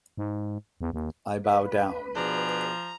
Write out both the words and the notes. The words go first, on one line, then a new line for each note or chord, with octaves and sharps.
I bow down"".
G#2
E2
D#2
B4
B2 F3 D4 G#4 A#5